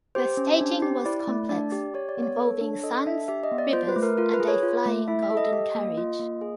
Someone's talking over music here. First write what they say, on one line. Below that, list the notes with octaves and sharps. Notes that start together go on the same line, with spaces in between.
The staging was complex, involving suns, rivers, and a flying golden carriage.
G4 C5
C#4
D4
G4
E4 D5
A3
D4 D5
G4
G4 C#5
D5
B3
C#5
A4
D4
A4 D#5
D4 E5
G4 E5
D#5
B3
D5
F4 C5
B4
A3
A#4
F4 A#4
B4
G#4
C#5
F4
A3
E4 E5
E5
A4
D#5
G4 D#5
A#3
F4
A#3
G#4